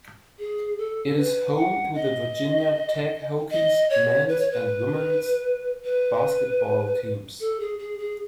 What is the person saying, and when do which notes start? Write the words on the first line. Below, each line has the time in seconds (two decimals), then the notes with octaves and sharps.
It is home to the Virginia Tech Hokies men's and women's basketball teams.
0.39 G#4
0.78 A4
1.17 B4
1.56 F#5
1.95 D#5
3.51 D#5
3.90 C#5
4.28 B4
4.40 C#5
4.51 B4
5.85 B4
7.40 A4
7.60 G#4
7.79 G#4
7.99 G#4